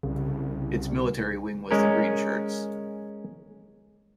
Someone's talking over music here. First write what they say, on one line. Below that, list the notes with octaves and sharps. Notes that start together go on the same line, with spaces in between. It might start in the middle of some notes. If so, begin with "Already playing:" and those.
Its military wing was the Greenshirts.
C2 C#3
G#3 C#4 A#4